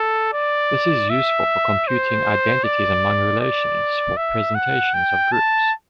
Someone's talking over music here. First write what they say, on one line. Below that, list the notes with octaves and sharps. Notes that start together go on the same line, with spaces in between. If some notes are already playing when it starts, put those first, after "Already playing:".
This is useful for computing identities among relations for presentations of groups.
Already playing: A4
D5
E5
C5
D5
D5
E5
F#5
G5
A5